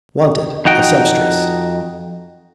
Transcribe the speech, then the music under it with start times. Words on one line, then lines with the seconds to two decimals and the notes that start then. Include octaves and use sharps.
Wanted, a Sempstress!
0.65 F2 D#4 F#4 G5